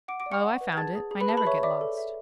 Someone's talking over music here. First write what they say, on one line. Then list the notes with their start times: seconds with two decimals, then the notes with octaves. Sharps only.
"Oh, I found it, I never get lost."
0.08 F#5 D6 D7
0.20 D6 D7
0.26 D5
0.32 C#6 C#7
0.44 F#5
0.61 B4
0.72 G#6
0.77 G#4 A5 A6
0.95 G#4
1.11 G#4
1.21 B4 B5
1.29 G#4 A5
1.37 B4 B5
1.46 C#5 E5 C#6
1.63 D5 E5 D6
1.81 A4
1.97 E5